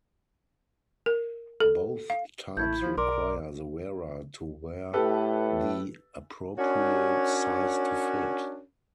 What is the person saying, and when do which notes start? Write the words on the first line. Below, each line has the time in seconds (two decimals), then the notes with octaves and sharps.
Both types require the wearer to wear the appropriate size to fit.
1.06 A#4
1.60 A4
2.10 F5
2.57 A1 A3 E4 G6 G#6
2.82 F3
2.98 B1 A#4 D5 C6 D6
4.93 A2 G4 A4 B4
6.58 C#4 D4 F#4 A#4 C#5